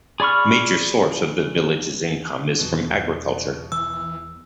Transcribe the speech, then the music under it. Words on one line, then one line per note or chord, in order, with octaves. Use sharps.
Major source of the village's income is from agriculture.
G#4 D5 B5 C#6 F6
E2 B2 G#3
E3 E6